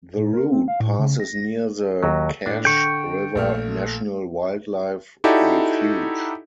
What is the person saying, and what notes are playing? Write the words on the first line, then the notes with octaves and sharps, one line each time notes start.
The route passes near the Cache River National Wildlife Refuge.
A2
A#4
C4
F5
A2
C#3
A#6
D#2 F#3
A2 D4
D3 G5 C#6
A#1 A3 F6
D#4 E4 F#4 G4 A4 D5